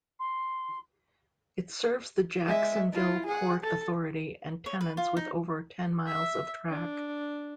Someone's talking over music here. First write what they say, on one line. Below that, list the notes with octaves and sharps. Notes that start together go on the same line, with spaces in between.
It serves the Jacksonville Port Authority and tenants with over ten miles of track.
C6
G#3 E5
E4 F4
G#4 F#5
A4
C#5
B4
F4
D#4
E5
D4